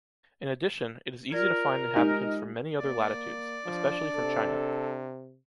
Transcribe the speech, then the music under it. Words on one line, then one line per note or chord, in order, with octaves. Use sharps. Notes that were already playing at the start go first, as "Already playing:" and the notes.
In addition, it is easy to find inhabitants from many other latitudes, especially from China.
F4 A#4 D5 G#6
G#3 D#4 G4
A#3 D5
F3 D4
C3 A4